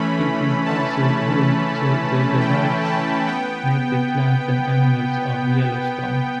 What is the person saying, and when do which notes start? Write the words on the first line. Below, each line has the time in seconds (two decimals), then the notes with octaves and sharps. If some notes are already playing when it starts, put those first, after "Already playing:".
It is also home to the diverse native plants and animals of Yellowstone.
Already playing: E3 A3 C#4 B5
0.66 A5
2.40 G5
2.84 A5
3.27 B3 G5